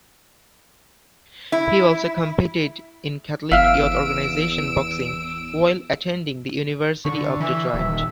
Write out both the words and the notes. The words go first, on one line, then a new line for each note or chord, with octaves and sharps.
He also competed in Catholic Youth Organization boxing while attending the University of Detroit.
E4
G1 E2 E5 F5 E6 F6 D7
D3 C#6
E3 E5
D#1